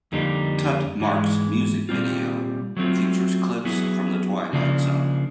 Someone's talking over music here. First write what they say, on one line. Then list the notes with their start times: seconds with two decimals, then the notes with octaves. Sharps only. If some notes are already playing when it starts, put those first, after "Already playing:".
Tutmarc's music video features clips from the Twilight Zone.
0.12 F2 D3 G3 A#3 D#4
1.00 G#2 E3 G#3
1.89 A#2 G3 C4 F4
2.77 F#3 A3 C4 F4
3.65 F#3 B3 E4 G#4
4.53 C#3 F3 A#3 D4